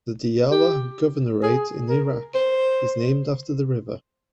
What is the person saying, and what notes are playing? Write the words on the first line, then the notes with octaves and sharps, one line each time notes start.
The Diyala Governorate in Iraq is named after the river.
G4
G#4
A#4
C5